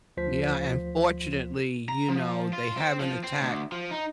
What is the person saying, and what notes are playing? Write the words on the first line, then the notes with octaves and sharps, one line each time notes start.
Yeah, and fortunately, you know, they haven't attacked
D2 F3 C5 B6
A#5
F3
F4
C4
F3
C4
D2
F3
D#4